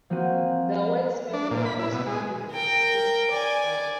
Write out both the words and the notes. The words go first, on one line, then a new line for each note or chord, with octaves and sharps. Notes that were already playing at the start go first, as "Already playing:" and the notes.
The wise men were also forbidden to speak to each other.
F3 A#3 C4 F#4 D#7
D4
A#2
B5
E4
B2
G#3
A#4 G5
D5 G#5